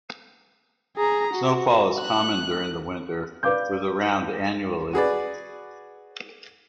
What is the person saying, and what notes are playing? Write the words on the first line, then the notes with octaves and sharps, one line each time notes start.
Snowfall is common during the winter, with around annually.
G#4 A#5
F#4
F#6
B4 D5 F5 D6 G6
F#4 G#4 B4 D5